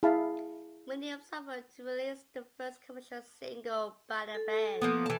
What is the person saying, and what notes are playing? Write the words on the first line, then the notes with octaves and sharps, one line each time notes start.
Williams offered to release the first commercial single by the band.
E4 G#4 F5 A5 B5
A4
F3 A#3 B3
E3 A5